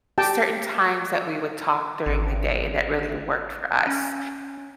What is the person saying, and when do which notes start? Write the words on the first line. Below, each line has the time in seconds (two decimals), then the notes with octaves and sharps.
certain times that we would talk during the day that really worked for us.
0.18 G4 G5 A5
2.06 G#1
3.87 C#4